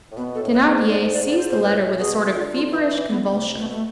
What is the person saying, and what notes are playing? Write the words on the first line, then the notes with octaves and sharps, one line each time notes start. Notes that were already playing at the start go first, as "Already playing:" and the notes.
Thenardier seized the letter with a sort of feverish convulsion.
A2
B2 B3
A4
A2
B4
G#2
G#2 D5
D5
G#2 D5
C5
C5
A2 B4
B2 G#4
E3
D3 F4
F4
E3 E4
D4
E3
D3 B3
C3 A3
B2 A3
A3